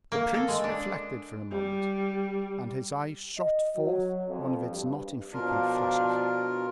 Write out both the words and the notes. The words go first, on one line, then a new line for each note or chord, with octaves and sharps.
The prince reflected for a moment, and his eye shot forth one of its not infrequent flashes.
A#3
A4
G#3
D4
G3
D#5
F#3
F2
G2
B2 F3 D4 F4 A#4